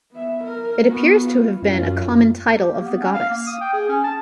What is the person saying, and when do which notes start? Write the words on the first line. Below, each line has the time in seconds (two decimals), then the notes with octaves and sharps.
It appears to have been a common title of the goddess.
0.12 B3 E5
0.44 A#4
0.89 B3 F#4
1.26 F4
1.62 F#2 F4
2.58 G4
2.72 A#3
2.85 B3
3.01 C#4
3.14 F5
3.30 A#3
3.47 D#6
3.61 G5
3.73 G#4
3.89 C#4
4.04 A5